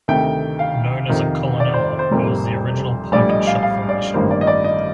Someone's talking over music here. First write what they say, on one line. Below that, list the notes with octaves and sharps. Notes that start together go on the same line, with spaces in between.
Known as a "colunella", it was the original pike and shot formation.
D2 C3 D#3 A3 G5
F5
F2 C3 D#3
D5
C5
C5
F1 F2 C3 G3 A#3
A#1 A2 G3 D5
D#5
F5
F5
D5
A1 G2 D#3 A#3 C5
D5
D#5
D5
D#5